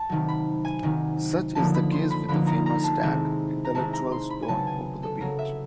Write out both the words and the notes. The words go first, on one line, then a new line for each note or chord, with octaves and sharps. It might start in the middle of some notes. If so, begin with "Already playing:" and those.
Such is the case with the famous tag: Intellectuals don't go to the beach.
Already playing: A5
C3 D#3 F#3
B5
G#5
C3 D#3 F#3
D3 F3 A#3 D#4 A5
B5
C6
B5
D3 F3 A#3 D#4 B5
A#5
A#5
A5
C3 D#3 G#3 C4 E4
A#5
C3 D#3 G#3 C4 E4 A5
A#5
C6
B5
G#5
C#3 F#3 B3 A5
G#5
A4
C#3 F#3 B3 A#4
E5